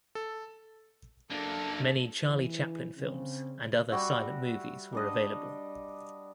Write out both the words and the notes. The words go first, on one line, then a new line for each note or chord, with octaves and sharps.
Many Charlie Chaplin films, and other silent movies were available.
A4
F#2 A#3 D4 A4
E3
C#3 C4
G3 F#4 E5
G3 D4 D#5